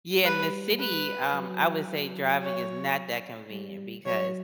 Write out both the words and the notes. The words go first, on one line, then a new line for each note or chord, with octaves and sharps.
Yeah, in the city, um, I would say driving is not that convenient because
G3 B4
B4
F#3
F#3
C#5
G3
F#3 C#5